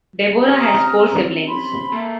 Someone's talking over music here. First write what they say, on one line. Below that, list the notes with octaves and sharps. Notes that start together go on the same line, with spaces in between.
Deborah has four siblings.
C4 C#4 G4 A#5 D#6 F6
B5 C6
A#3 A4